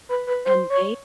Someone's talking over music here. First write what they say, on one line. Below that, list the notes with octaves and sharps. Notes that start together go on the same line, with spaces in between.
And they,
B4
B4
C5
C#5